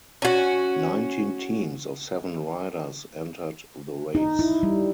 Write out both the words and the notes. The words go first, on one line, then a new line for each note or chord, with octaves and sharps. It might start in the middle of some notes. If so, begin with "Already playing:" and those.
Nineteen teams of seven riders entered the race.
C#4 F#4
D#4
E4
G3